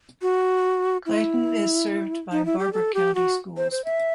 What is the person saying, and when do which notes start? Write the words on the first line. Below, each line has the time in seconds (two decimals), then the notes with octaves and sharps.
Clayton is served by Barbour County Schools.
0.22 F#4
1.06 E4
2.32 D#4
2.46 E4
2.59 G4
2.73 A4
2.94 G4
3.15 F#4
3.57 C5
3.72 C5
3.85 E5